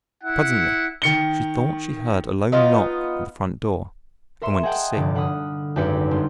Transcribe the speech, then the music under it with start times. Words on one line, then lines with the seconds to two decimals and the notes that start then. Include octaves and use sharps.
Presently she thought she heard a low knock at the front door, and went to see.
0.23 E4 F#5
1.02 D#3 C#7 G7
2.52 B3 D#4 F4
4.42 A#4 E5 C6 C#7 E7
4.63 G#4 D#5 F#5 G5 A5
4.95 F1 G2 D3 D5
5.15 D3 F#5 B5 D#6 F6
5.76 G#1 F#2 G4 B4 D5 C#7
6.11 G1 C6